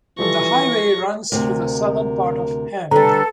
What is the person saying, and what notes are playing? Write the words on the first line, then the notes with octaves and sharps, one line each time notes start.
The highway runs through the southern part of Hemne.
E3 F3 G3 A4 C#6 A#6
D2 C3 A#4
D3 G3 A4 B4 A#5